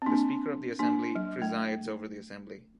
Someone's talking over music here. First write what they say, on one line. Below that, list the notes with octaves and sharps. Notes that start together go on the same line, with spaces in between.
The Speaker of the Assembly presides over the Assembly.
C4
A#3 D4
A#3 D4
F#3
A3